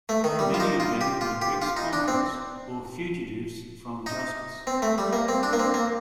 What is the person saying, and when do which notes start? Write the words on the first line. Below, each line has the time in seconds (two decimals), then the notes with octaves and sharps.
Many of them were ex-convicts or fugitives from justice.
0.09 A3
0.24 D#3
0.39 G3
0.54 F4
0.60 D#4
0.80 F4
1.01 G4
1.21 F4
1.42 G4
1.62 F4
1.77 D#4
1.93 D4
2.08 C4
4.06 D#4
4.67 C4
4.82 A3
4.98 G3
5.13 A#3
5.28 C4
5.43 D4
5.53 A#3
5.59 C4
5.74 A#3